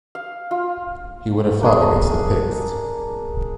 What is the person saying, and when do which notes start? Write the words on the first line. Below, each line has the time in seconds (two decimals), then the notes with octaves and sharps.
He would have fought against the picts.
0.15 F5
0.51 F4
1.61 A#3 D4 G#4